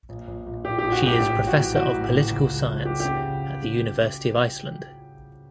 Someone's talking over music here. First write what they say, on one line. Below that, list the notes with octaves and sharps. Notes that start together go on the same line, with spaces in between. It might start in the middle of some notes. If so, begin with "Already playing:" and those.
She is Professor of Political Science at the University of Iceland.
A#1
A#1
A#1
A#1 G4
A#1 G4
F#4
G#2
G4
A1 G4
A1
F#4
E3
E3 F#4
A1
E3
C#2
C#2
F3
F3 G4
C#3 G4